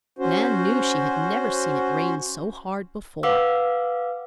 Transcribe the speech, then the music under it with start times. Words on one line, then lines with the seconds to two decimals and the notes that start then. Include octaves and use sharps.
Nan knew she had never seen it rain so hard before.
0.19 C#4 F#4 C5
3.23 B4 F5 F#5 D6 E6